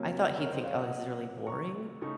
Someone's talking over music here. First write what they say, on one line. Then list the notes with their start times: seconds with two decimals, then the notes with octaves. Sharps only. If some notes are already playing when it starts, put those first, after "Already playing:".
I thought he'd think, "Oh, this is really boring."
Already playing: C3 F#3 A#3 C#4
0.10 F#4
0.37 A#4 C#5
0.51 C5 D#5
0.64 C#5 F5
0.78 D#5 F#5
1.47 A#5 C#6
2.01 C#3 A3 D#4 C#6